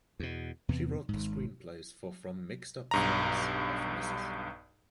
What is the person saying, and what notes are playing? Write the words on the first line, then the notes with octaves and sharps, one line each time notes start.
She wrote the screenplays for From the Mixed Up Files of Mrs.
E2 B2
E2 C3 B3
G#1 G#2
B1 G2 A#5